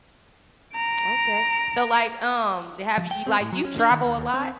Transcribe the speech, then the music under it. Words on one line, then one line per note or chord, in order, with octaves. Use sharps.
Okay. So, like, um, they have you like, you travel a lot?
A#5 D7
F3
G5
C4
A2
F#3
C#4
D4
D#3
D#2
D#2
C4